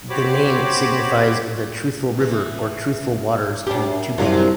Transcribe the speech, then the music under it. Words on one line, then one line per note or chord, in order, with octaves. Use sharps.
The name signifies "The truthful river", or "truthful waters" in Tupi.
F#4 G4 C5 C#5 B5 D6
E3
F#2 D4 G4
C2 F#2 C3 D#3 F#3 D4 F4